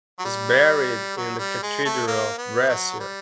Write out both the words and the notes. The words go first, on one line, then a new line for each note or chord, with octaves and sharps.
He is buried in the Cathedral of Brescia.
F#3
G3
F#3
G3
G#3
A3
A#3
B3
F#3
G3